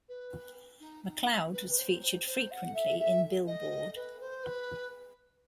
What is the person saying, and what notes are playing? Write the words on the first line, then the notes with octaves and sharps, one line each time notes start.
McCloud was featured frequently in "Billboard".
B4
D#4
D#4
B4
B4
C5
C5
C5
F#5
E5
E5
D#5
B4
C5
B4